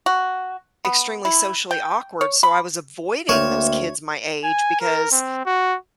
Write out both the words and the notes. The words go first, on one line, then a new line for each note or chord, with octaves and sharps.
extremely socially awkward, so I was avoiding those kids my age because
F#4
B3
E4
G5
C#5
B5
D2 A#3 C4 C#5 E5 C#6
G#5
A#4
C4
F#4